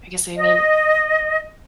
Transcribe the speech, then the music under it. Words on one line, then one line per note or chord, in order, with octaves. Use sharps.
guess I mean
D#5